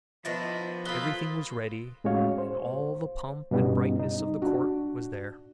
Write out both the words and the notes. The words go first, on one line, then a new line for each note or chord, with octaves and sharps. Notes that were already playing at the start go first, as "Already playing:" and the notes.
Everything was ready, and all the pomp and brightness of the court was there.
D#3 F3 B3 D4 E4 A6 A#6
A#3 F4 A4 B5 D#6 F#6 G7
A2 G#3 C#4 F#4 C#5 F5
C5
G2 B2 G3 B3 C#4 D#4
D#4
D4 F#4